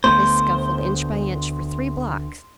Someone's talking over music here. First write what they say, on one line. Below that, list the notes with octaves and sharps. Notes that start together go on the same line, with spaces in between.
They scuffled inch by inch for three blocks.
D2 A3 B3 C5